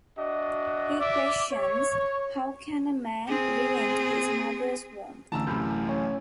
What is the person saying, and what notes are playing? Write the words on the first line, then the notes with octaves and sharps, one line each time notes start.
He questions: How can a man re-enter his mother's womb?
D4 F#4 D#5 E5
D5 E5 D6
C#5
C4 G#4
A1 D3 E3 A5 A#5 E6
A1 F#2 A2 C3 B5 F6 G6
C#4